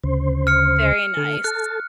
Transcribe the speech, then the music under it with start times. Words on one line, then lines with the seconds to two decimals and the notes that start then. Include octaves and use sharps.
Very nice.
0.04 D2 C#3 C5
0.47 F6 C#7
1.17 D3 A4
1.44 A4 A5 F#6